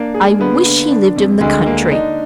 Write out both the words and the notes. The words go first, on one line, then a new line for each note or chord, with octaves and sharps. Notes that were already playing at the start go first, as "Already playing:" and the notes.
I wish he lived in the country.
Already playing: A#3 D4
G#4
D3 B3
D3
D4
F2
D2 G#3
D3 A#3
D4 D#4